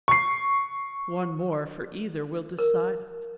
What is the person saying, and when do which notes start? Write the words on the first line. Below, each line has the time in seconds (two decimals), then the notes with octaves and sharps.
One more for either will decide it.
0.08 C#6 C7
2.59 A#4